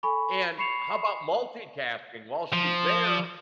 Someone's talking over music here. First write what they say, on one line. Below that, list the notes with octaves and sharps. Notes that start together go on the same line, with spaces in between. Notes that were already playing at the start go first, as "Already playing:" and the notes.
And how about multitasking? While she's there
A4 G#5 B5 C#6
B5 C#6 C7 C#7 E7 F7
F3